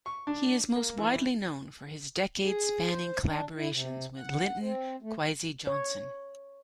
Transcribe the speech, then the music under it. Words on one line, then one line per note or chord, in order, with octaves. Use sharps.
He is most widely known for his decades-spanning collaborations with Linton Kwesi Johnson.
C#6
D4
A#3
E3
G#4
C5
D4
E4
C3
F#5
C4
A3
C#5